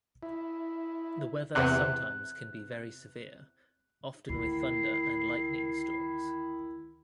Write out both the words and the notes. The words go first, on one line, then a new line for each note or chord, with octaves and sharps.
The weather sometimes can be very severe, often with thunder and lightning storms.
E4
E2 C3 F#6
D2 D#3 E4 C7